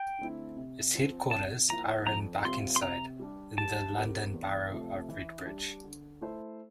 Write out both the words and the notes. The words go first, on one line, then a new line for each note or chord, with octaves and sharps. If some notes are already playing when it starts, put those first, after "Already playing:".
Its headquarters are in Barkingside in the London Borough of Redbridge.
Already playing: G5
D3 A3 C4 E4
C3
F3 C4
C3 A5
F3 A#3 E4 A#5
F2 A#5
C3 G3 C4 F4 C6
C6
C3 A#5
G3 D4 G4
G3 A5
C4 G4 A#4
E2
C3 F3 A3
E3
G3 D4
D3
A3 E4 A4 C5